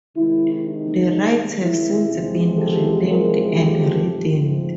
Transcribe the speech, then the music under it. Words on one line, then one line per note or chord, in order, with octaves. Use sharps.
The rides have since been renamed and rethemed.
C3 D#3 G#3 E4
D#4
E4
E2 C3 F3 G#3
G4 A4
G#4 A#4
G4 A4
G#2 F3 A3 C4 D#4